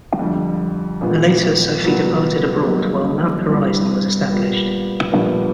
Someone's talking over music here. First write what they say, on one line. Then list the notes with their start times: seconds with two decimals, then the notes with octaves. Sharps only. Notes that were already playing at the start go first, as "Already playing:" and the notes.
Later Sophie departed abroad while Mount Horizon was established.
0.19 F2 D3 G3
1.01 A#1 A#2 F3 G#3 B3
1.83 C2 A#2 F#3 B3
2.66 G2 D#3 F#3 A#3 D#4
3.48 G2 E3 G3
4.30 A#2 G3 B3
5.12 A#1 A#2 G3 B3 D4